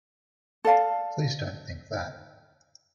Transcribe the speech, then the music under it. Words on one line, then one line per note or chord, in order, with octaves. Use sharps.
Please don't think that.
A4 D5 F5 A5